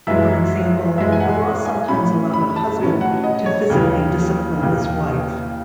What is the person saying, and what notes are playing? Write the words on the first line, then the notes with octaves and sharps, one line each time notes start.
For example, the law sometimes allowed a husband to physically discipline his wife.
F#2 E3 G#3 E5
F#2 E3 G#3 E5
G#5
F#5
F#5
G#5
A2 F#3 C#4 B5
B5
A5
A2 F#3 C#4
F#5
D#5
C#5
D#2 C#3 E3
D#2 C#3 E3